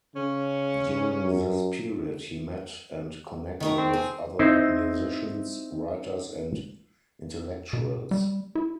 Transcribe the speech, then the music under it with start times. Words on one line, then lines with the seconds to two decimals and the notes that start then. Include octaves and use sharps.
During this period, he met and connected with other musicians, writers and intellectuals.
0.16 C#3 C#4
1.22 F#2
3.60 D#3 A3 A#4
3.78 C4
3.93 G#4
4.39 C4 D#4 E4 C5
7.73 B2
8.11 G3
8.55 E4